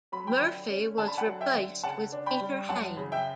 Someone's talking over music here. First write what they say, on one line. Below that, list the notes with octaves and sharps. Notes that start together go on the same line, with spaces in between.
Murphy was replaced with Peter Hain.
F#3 B5
G5 B5
D3
C#4
D3 A5
B5
F#5 A5
F#3
E5 G5
D3
C#3 F#5 A5
D4
G5 B5
G3
F#2 F#5 A5
C#3
E5 G5